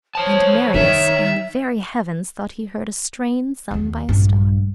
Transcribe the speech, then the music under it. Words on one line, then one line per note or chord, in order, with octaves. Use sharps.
And Marius, in the very heavens, thought he heard a strain sung by a star.
F2 C5 C#5 A5
D#3 D#4 E5
D#2 B3
A#1 G2